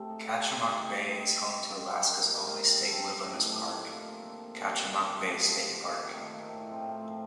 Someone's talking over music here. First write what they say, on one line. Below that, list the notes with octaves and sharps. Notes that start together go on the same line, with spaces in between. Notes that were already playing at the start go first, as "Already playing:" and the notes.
Kachemak Bay is home to Alaska's only state wilderness park, Kachemak Bay State Park.
Already playing: A3 C4 G4
D#4 A4
C4
D#4 A4
A2
G3 C4 G4
A2
G3 C4 G4
G3
C4 G4 D5
G3
C4 G4 D5
A#3
D#4 A#4 D#5
A#3
D#4 A#4 D#5
C4
D#4 A4 D#5
C4
D#4 A4 D#5
A2
F3 A#3 D4
A2
F3 A#3 D4
F3
A#3 F4 A4
F3
A#3 F4 A4
C3
D#3 A3 C4
C3
D#3 A3 C4
D3
F3 A#3 F4
D3
F3 A#3 F4
D#3
A3 C4 D#4
D#3
A3 C4 D#4
A2
F3 C4
A2
F3 C4